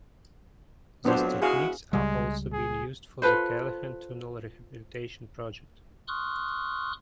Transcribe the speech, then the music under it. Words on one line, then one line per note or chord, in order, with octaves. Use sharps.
These techniques are also being used for the Callahan Tunnel Rehabilitation Project.
F2 A2 F#3 B3 D4 C5
G#3 E4 F#4 G#4 F5
C#2 C#3 G3 G#3
G#4
F4 A4 B4 C5
C6 C#6 D#6 F6 F#6